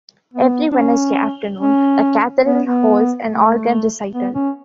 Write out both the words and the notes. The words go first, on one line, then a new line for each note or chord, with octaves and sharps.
Every Wednesday afternoon, the cathedral holds an organ recital.
B3
D4
C#4
C#4
B3
B3
A3
B3
C#4